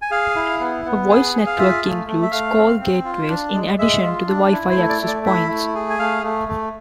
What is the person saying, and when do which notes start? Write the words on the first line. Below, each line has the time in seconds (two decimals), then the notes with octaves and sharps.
A voice network includes call gateways in addition to the Wi-Fi access points.
0.02 G#5
0.11 G#4 F5
0.36 E4
0.60 B3
0.85 B3
1.09 G#4
1.34 G#4
1.46 F5
1.58 F4 E5
1.83 A3
2.07 A3
2.22 E5
2.31 A3 F5
2.57 C4
2.81 C4
3.05 F4
3.29 D4
3.54 G#3
3.79 G#3 E5
4.03 F4
4.27 D4
4.52 E4
4.70 C5
4.76 A3
4.89 D5
5.02 A3
5.08 D5
5.26 E4 E5
5.50 A3
5.75 G#4
5.90 G#5
5.99 A3 F5
6.23 A3
6.48 A3